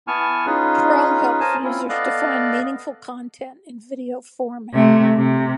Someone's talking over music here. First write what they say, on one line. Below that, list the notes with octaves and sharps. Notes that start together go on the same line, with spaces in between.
Trell helps users to find meaningful content in video format.
B3 E4 G#5 A5 C#6 F6
C#4 D#4 F4 G#4 B4
A#4 C5 C#5 G#5 A5
C4 C#4 E4 F4
B3 A4 D5 D#5 F5 F#6
C3 A3
C3